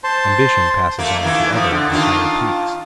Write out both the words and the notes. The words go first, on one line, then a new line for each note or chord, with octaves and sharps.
Ambition passes on to other and higher peaks.
C5 A5 C6
A3 A#3
D#3 E3 A#3
F3 A3
D3
D#3 D4 F4